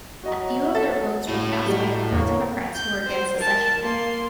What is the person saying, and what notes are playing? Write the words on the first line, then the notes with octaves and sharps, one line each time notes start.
A few of their votes were cast by former Democrats who were against secession.
F#3 F#4 D#5 A#5
A4 E5 A6
A2 C#3 F#4
F#3 G3 D#4 G7
E2 D3 A#3 C#5
G6
C5
A#4 A5
A#3 C6